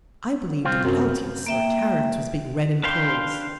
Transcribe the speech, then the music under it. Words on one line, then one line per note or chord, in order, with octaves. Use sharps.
I believed that Plautus or Terence was being read in prose.
C2 C4 F4
F#2 C3 F#3
A#3 E5 G5
D4 B4 F5 G5 C6